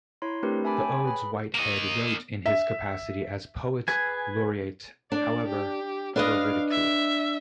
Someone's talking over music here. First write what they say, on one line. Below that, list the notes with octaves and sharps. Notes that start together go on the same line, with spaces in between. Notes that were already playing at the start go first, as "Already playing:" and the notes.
The odes Whitehead wrote in his capacity as Poet Laureate, however, were ridiculed.
E4 C#5 A#5 C6
A3 C4 D4 G4 A#4 B4
E5 G#5 A5 B5 D6
C#5 G5 G#5
G#4 B4 B5
A#3 D#5
E5
G#4 B4 G#5
D4 D5
G4
D4 B4 D#5 F5
E5